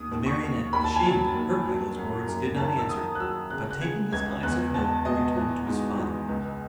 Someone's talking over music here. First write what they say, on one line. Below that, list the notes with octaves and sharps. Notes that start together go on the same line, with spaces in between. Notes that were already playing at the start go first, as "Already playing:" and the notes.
The Marionette, ashamed and hurt by those words, did not answer, but taking his glass of milk returned to his father.
Already playing: D#2 D#6
D#2
C#6
D#2
D#2 B5
A5
G#5
F#3 A5
D#2
F#3
F#2
F#2
D#3 A5
E6
D#3 D#6
F#6
F#3 E6
C#3 F#6
F#6
C#3 G#6
C#2 G#6
E2 F#6
E2 A5
B2 D#5
E3
G#2
E3
C#2